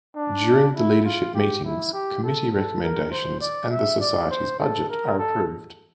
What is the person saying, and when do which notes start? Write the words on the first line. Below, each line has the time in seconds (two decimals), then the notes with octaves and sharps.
During the Leadership Meetings committee recommendations and the society's budget are approved.
0.16 D4
0.75 E4
1.05 F4
1.34 G4
1.64 E4
1.93 G4
2.24 A4
2.52 A4
2.82 A#4
3.12 C5
3.41 D5
3.71 E5
4.00 D5
4.30 C5
4.60 A4
4.89 A#4
5.18 A4